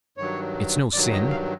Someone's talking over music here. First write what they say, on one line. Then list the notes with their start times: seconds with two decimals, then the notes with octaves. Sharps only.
It's no sin.
0.17 G2 D#3 F#3 C#5
0.93 G2 D#3 F#3 D5
1.12 D#5
1.31 F5